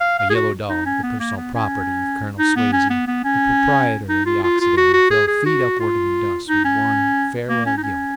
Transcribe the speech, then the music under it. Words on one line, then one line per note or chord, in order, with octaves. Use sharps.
A yellow dog, the personal property of Colonel Swazey, the proprietor of the Occidental, fell feet upward in the dust with one farewell yelp.
F5
F5
G#4
F#4
D#4
C#4
B3
A#3
B3
C#4
D#4
B3
C#4
B3
B3
C#4
D#4
F4
F4
F4
F#4
F#4
G#4
G#4
F#4
F4
D#4
C#4
A#3
C#4
D#4
C#4